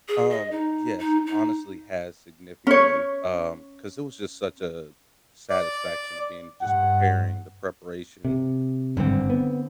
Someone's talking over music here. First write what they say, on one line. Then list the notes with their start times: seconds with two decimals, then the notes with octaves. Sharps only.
Um, yes it honestly has significantly um, 'cause it was just such a satisfaction of being just preparing the preparation
0.08 G#4
0.30 D#5
0.51 D#4
0.99 D#4
1.27 D#4
2.67 C#4 C#5
5.50 D5
6.61 G2 F#5
8.25 C3
8.97 G#1 G2 D3 C4
9.30 B3